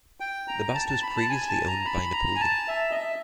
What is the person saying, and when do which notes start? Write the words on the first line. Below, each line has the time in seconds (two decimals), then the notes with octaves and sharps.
The bust was previously owned by Napoleon.
0.20 G5
0.48 A#5
0.75 A5
0.88 A5
1.02 B5
1.17 A5
1.30 G#5
1.48 A5
1.67 A#5
1.85 B5
2.12 A#5
2.36 G#5
2.41 A5
2.68 E5
2.91 D#5
2.95 E5